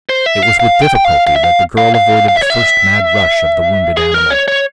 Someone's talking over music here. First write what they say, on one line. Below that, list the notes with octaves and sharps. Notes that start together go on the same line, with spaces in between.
It was with difficulty that the girl avoided the first mad rush of the wounded animal.
C5
E5
F5
F5
G5
G5
F5
F5
E5
F5
F5
F5
F5
E5
C#5
E5
G#4
A#4
C#5
C#5